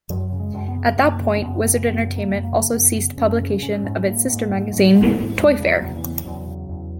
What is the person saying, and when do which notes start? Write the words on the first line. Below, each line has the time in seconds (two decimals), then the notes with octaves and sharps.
At that point Wizard Entertainment also ceased publication of its sister magazine, "Toyfare".
0.10 F#2 F#3
0.32 C#3
0.39 G#3
0.53 F#2
0.68 B3
0.76 C#3
0.97 F#2 A#3
1.20 C#3
1.36 C#4
1.42 F#2 B3
1.65 C#3
1.86 F#2 B3
2.09 C#3
2.16 A#3
2.30 F#2
2.44 A#3
2.52 C#3
2.73 F#2 B3
2.96 C#3
3.17 F#2 C#4
3.40 C#3
3.62 G#2 C#4
3.84 G#2
4.05 G#2 A#3
4.28 G#2
4.50 G#2
4.72 G#2
4.94 G#2
5.15 G#2
5.37 E2 G#3
5.60 C#3
5.67 F#3
5.82 E2
5.96 E3
6.03 C#3
6.25 E2 F#3
6.47 C#3
6.69 E2